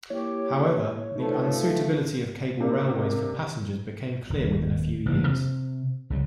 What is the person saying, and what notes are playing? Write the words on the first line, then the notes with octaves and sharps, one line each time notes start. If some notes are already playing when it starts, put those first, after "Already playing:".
However, the unsuitability of cable railways for passengers became clear within a few years.
A#3 E4 G4 C#5
F3 A3 D#4 A4 B4
C3 A#3 D4
D#1
A1 C#3 E3 A#3
C3
C2 C#3 F3 F#3